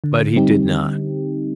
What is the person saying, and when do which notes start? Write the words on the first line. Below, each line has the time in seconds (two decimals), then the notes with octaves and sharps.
But he did not.
0.04 D3
0.36 G3 C4 D#4 G4
0.69 D3